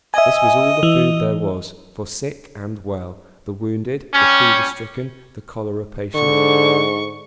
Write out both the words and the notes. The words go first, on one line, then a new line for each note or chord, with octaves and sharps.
This was all the food there was, for sick and well, the wounded, the fever-stricken, the cholera patient.
D#5 E5 G#5
E3
G3 C#4
G#2 D3 C#6